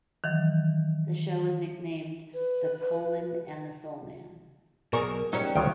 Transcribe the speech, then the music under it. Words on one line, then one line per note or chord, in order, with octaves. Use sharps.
The show was nicknamed the "Coleman and the Soul Man".
D#3 E3 F#3
B4
B1 B2 G#4 A#4 D5 C#6
F#3 G3 C#4 D#4 F#4 A#4 C#5
D2 D#3 G3 F4 C5 C#5 F#5 G5